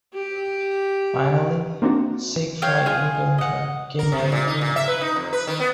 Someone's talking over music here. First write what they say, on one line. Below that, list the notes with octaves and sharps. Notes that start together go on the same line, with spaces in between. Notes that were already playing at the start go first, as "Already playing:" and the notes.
Finally Siegfried and Gunther came to an agreement.
G4
A#3 C4 D4 D#4 F#4
C#5 F5 G5
F4 G#4
D#5 F#5
A#4
C3
A#2
D#4
A#2
E5
B4
D#4
F2
B4
D#3
B3